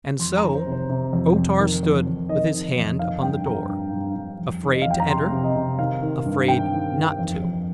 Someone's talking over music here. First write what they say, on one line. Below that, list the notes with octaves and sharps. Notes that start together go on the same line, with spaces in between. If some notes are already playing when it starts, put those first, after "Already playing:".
And so O-Tar stood with his hand upon the door--afraid to enter; afraid not to.
F2 C6
A#5
D#3
C5
C3
C5
C3
F2
F2
D#3
F2
F2
D#3 D#5
D#3
F2
D#3 F5
G2 G5
G2 A#5
G2
G2
G2
F2
D#3
D#5
F2 F5
G5
A#5
C3 C6
C3
D#5
C3
D#3 F5
D#3
G2
D#3 G5
D#3
D#3
F2
F2